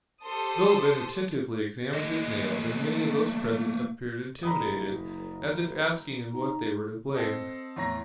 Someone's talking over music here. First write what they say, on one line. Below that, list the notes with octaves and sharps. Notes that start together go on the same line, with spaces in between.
Bilibin attentively examined his nails, and many of those present appeared intimidated, as if asking in what they were to blame.
G4 A4 C5 C6 D#6
A3 A#3 D#5
F#1 A#5 B5 D#6
D#4 A#5
C4 A4 D#5
E2 A2 C#5 A#5 A#6